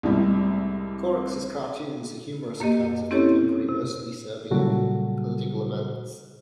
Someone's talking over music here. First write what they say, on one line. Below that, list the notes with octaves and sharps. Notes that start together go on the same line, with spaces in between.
Corax's cartoons are humorous accounts of contemporary, mostly Serbian, political events.
C2 A2 C3 G3 G#3
F#2 A#3 G4 D#5
C4 C#4 E4 G4 A4 C#5
C3
A#2 C#3 F#3 G3 F#4 A4